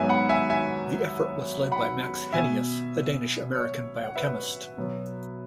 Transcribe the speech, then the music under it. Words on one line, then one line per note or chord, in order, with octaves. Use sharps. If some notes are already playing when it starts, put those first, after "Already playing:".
The effort was led by Max Henius, a Danish-American biochemist.
Already playing: G#2 F#3 B3 E5 G#5
F#5 B5
E5 G#5
E5 G#5
F#5 B5
B2 B3 E5 G#5
C#5
F#5
B4 E5
B2 F#3 B3